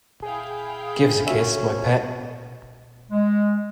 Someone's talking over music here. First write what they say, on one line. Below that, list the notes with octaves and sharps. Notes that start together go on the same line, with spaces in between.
Give us a kiss, my pet.
E4 G#4 F5 G5
C#4 F#4 E5
G#3